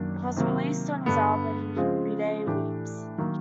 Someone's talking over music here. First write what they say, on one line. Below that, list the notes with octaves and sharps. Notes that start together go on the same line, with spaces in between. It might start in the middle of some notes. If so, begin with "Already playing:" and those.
It was released on his album "Bede Weeps".
Already playing: F#2 D#3 F#3 A#3 D4
C3 D#3 F#3 A#3
G2 D3 G3 B3
C#3 F3 G#3 C4 F4
A2 E3 A3 D4 G4
D#3 F#3 A#3